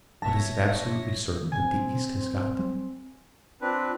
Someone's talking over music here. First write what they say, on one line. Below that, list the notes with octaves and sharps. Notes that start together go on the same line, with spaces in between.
"But is it absolutely certain that the East has got them?"
G2 B3 C#5 E5 A5 A#6
C4 G#5
C4 D4 F4 B4